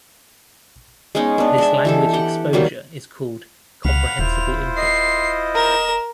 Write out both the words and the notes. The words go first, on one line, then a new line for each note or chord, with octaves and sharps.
This language exposure is called comprehensible input.
G#3 B3 C#4 D#4
B3 D4
G#3 E5
E3 G4 A4
G4 F#5 G5
D#3 F#3 G3 A#3
C#2 F5 F#5 B5 F7
D#1 E4 F4 C5
D#5 C7
A#4 E7